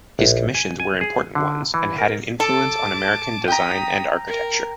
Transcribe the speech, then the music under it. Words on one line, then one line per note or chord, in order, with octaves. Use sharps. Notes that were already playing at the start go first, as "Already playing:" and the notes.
His commissions were important ones and had an influence on American design and architecture.
A#1
G#5
G#5
G#4
D3
E3
A#4
A4 A5 D6
G5 A#5 D#6 B6
A#4